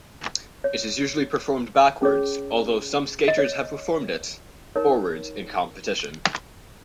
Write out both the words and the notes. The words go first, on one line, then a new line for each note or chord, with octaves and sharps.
It is usually performed backwards, although some skaters have performed it forwards in competition.
C#5
C#4 G#4 C#5
D#5
C#5
D#4 A#4 C#5